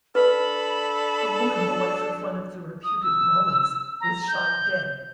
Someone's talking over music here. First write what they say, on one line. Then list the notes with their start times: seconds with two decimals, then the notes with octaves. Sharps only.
A woman, the wife of one of the reputed Mollies, was shot dead.
0.15 D4 A4 B4 B5
2.84 D#6
3.02 E6
4.01 A#5
4.28 G6